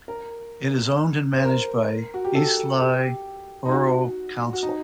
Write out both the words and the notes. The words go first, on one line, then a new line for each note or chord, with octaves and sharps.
It is owned and managed by Eastleigh Borough Council.
A#4
C5
A#4
F#4
G4
A4
G4
D#4
F#4
F#4
D#4